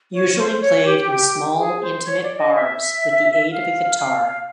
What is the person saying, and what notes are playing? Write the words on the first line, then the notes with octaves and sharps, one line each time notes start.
Usually played in small, intimate bars with the aid of a guitar.
C#5
C5
C#5
G4
G4
G#4
C5
C#5
D5
D#5
E5
F5
F5
F5